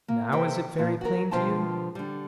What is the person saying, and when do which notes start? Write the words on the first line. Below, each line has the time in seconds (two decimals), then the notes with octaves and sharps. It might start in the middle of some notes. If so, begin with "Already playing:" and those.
Now is it very plain to you?
0.08 A#3
0.32 C3 A4 E5 G5
0.78 A#2 F3
1.01 F#4 A#4
1.31 B2 D3 F3 F4 G5 A5
1.95 D3 G3